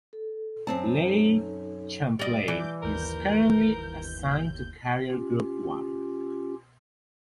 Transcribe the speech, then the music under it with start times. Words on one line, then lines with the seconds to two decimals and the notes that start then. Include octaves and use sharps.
"Lake Champlain" is currently assigned to Carrier Group One.
0.13 A4
0.67 F#2 C4 G#5 A5
1.04 D#4 A4
2.19 G3 D5 D#5
2.48 E3 D6 G6
2.82 G1 D#2 A#4 G6
5.12 C#4 F4 G4